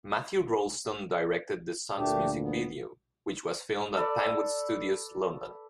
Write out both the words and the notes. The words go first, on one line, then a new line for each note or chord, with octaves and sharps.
Matthew Rolston directed the song's music video, which was filmed at Pinewood Studios, London.
D2 A#2 A3 D4 G4
B3
A4 B4 D5